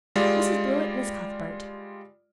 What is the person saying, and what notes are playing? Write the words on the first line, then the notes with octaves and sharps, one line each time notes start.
Mrs. Blewett, Miss Cuthbert.
G3 G#3 F4 D5